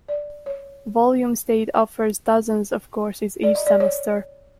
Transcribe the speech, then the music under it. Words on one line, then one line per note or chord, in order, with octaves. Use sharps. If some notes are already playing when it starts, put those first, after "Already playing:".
Volume State offers dozens of courses each semester.
D5
C#5
D5
D#5
D5
C#5